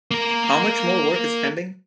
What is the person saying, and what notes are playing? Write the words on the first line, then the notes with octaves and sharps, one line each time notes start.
How much more work is pending?
A#3 A#4